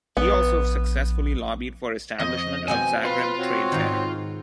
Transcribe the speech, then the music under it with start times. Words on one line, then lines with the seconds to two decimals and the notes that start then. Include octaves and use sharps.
He also successfully lobbied for establishment of Zagreb trade fair.
0.17 A#1 B3
2.20 F2 D#5
2.68 B2 B3 C4 G#5
3.05 F4 B4 F5
3.39 C4 F#4 C#5
3.72 G#2 D#3